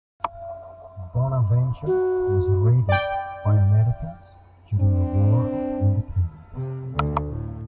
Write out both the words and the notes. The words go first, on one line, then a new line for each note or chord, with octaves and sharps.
Bonaventure was raided by Americans during the War of Independence.
F#4
D5 G5
C4 D4
C3
D2
A2